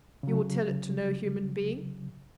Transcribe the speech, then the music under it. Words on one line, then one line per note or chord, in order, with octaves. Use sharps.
"You will tell it to no human being?"
C#3 F#3